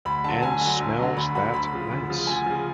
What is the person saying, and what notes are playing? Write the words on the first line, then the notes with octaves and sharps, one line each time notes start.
And smells that nice!
D2 B5
D3 F#3 A5
D2 G#5
D3 F#3
D2
D3 F#3
D2 B5
D3 F#3 B5
D2 B5
C#3 F3
D2
C#3 F3
D2 G#5
C#3 F3